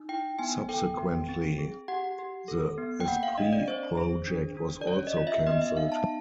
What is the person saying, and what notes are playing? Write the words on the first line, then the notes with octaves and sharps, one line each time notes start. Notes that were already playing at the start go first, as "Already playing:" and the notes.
Subsequently, the Esprit project was also cancelled.
Already playing: D#4
E4 G5
B3 G#5
A4 G5
B3
C4
G#4
G4 F#5
G4
A4
B3
G5
A#3 F#5
F5
D4 D#5
D5
C4 C5
G#4
D4
D4
D5
C#4 C#5
D#5
F4
E5
B3 D#5
E5
D#4 F5
A5